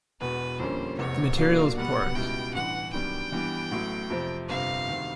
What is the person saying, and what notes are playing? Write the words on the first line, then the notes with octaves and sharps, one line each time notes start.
The material is porous.
E1 E2 B2 B4
F2 D3 G3 A#3 C#4 C5
F1 E2 C3 C#5
B2 F#3 A#3 D4 F5
B2 G3 B3 F#5
C#2 B2 G3 B3 E4 G5
A1 G2 E3 F#5
F#2 D#3 G3 B3 D4 G5
G2 E3 G3 B3
A1 A2 F#3
F2 C3 F3
G1 F2 C3 F5
D2 C3 D#3 G3